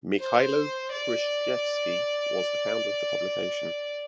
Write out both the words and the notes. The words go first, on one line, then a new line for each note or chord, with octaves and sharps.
Mykhailo Hrushevsky was the founder of the publication.
C5
D5